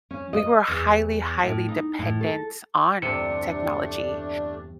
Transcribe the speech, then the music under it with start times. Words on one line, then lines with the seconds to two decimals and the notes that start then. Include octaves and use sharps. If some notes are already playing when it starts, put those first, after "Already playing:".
we were highly, highly dependent on technology.
0.11 C#4
0.33 D#5
0.68 E2
1.44 A2
1.68 D#4
1.99 A2
2.21 A4
3.02 E2 G2 C3 A3 D4 C#7